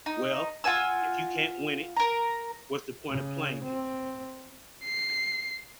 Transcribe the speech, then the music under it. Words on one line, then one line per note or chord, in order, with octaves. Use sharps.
Well, if you can't win it, what's the point of playing it?
D#4
F4 F#5 G#5 E6
A#4 A#5
C#3
C4
C7